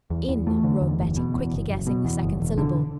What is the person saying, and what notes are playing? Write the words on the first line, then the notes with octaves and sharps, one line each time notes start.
"Inn" wrote Betty, quickly guessing the second syllable.
E2
E2
A3
D3
E2
F#1
B2
E2
F#1
F#1
B2
E2
F#1
E1
D3